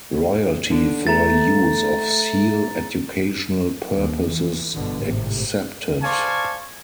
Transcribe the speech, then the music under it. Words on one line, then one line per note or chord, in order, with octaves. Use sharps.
Royalty for use of seal-Educational purposes excepted.
D3
A3 A#5 A6
D#2
E3
G1 B2 D3
G#1 A2 C3
C5 D5 F5 G#5 A5 C#6